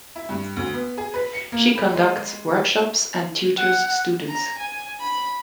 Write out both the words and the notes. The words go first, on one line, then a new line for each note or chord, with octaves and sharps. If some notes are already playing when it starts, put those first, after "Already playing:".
She conducts workshops and tutors students.
E4
G2
D2
B3
G#4
B4
C#7
A#3
B5
G#3
F#5
A#5
G#5
B5